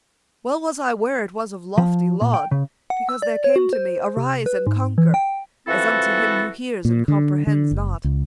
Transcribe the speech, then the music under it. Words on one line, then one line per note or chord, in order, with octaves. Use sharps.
Well was I ware it was of lofty laud, Because there came to me, "Arise and conquer!" As unto him who hears and comprehends not.
F3
A#2
G5
C#3
F#5
E6
D5
C#5
F#4
C5
C3
B4
G#2
E3
G5
E3 F3 C4 E4 F#4 A4
A#2
D3
D3
F#1
C#2